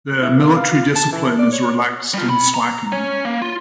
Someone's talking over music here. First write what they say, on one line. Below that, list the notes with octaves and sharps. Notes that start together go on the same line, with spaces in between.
Their military discipline is relaxed and slackened.
E4
A#3
F5
F4
A5
E3
D5
C#5
G3 F4
C4 B5
A#5
C#4 C#5
A#3
F4